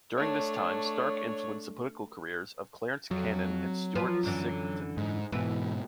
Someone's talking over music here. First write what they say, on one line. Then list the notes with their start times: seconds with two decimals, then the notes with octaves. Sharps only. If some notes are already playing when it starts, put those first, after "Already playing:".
During this time, Stark influenced the political careers of Clarence Cannon and Stuart Symington.
0.18 A3 D4 C#5
3.11 F2 F#3
3.95 F3 B4
4.23 F#2 D3 E3
4.97 G#2
5.32 G#2 B2 E3 B4